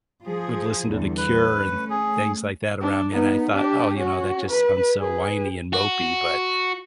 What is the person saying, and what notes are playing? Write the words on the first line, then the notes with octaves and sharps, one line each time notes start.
would listen to The Cure and things like that around me and I thought, oh, you know, that just sounds so whiny and mopey, but,
F3 G#4
E2 D3 G3
B4
A3 C#4
G#4
D4
B3 D#4
D4 G4
C#4 F#4
B4
G#4 B4
F#4